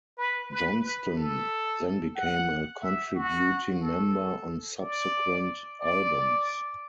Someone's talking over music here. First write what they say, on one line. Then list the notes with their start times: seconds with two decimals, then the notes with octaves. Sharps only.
Johnston then became a contributing member on subsequent albums.
0.17 B4
0.51 B4
0.83 B4
1.17 A4
2.16 F#5
2.82 E5
3.15 F#4
3.81 A4
4.81 D5
5.80 D5